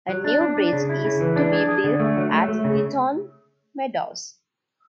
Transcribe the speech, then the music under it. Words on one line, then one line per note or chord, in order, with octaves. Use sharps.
A new bridge is to be built at Ditton Meadows.
F#3
D4
D4
D4
C#3
E4
C#3
E3
D4
G#4
G#4
D3
A3
F#3
A3
A3
C#3